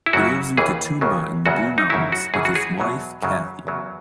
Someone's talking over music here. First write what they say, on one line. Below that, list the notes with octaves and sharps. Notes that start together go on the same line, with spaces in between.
He lives in Katoomba in the Blue Mountains with his wife, Cathie.
E4
F#2 C#3 F#3 F#4
D#2 C#3 E3 G#4
D#2 C#3 F#3
E2 C#3 F#3 F#4
D#4
F#2 C#3 F#3 E4
F#4
F#2 C#3 E3 G#4
F#4
G#4
E2 B2 F#3
F#2 C#3 F#3
E2 C#3 F#3